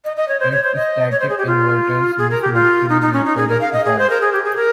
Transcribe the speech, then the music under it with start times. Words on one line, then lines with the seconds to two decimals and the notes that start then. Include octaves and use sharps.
Its static inverters use mercury vapour rectifiers.
0.05 D#5
0.16 D#5
0.28 C#5
0.40 C5
0.52 C#5
0.64 C5
0.76 D#5
1.11 C#5
1.20 C5
1.29 G#4
1.38 G4
1.47 F4
2.18 G#4
2.31 A#4
2.42 G4
2.54 F4
2.89 D#4
3.01 D#4
3.13 C#4
3.25 D#4
3.37 G#4
3.49 A#4
3.61 F5
3.73 D#5
3.85 G#4
3.99 C5
4.10 A#4
4.21 G#4
4.33 G4
4.44 G#4
4.56 A#4